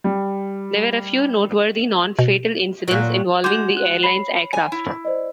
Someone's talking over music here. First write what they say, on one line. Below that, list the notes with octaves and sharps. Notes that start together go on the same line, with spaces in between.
There were a few noteworthy non-fatal incidents involving the airline's aircraft.
G3
B2
A#2 F#3
G#3 F#4 D6 G6
F#6
C#5 B5 C7
G#5
E4
C5 D5 D#5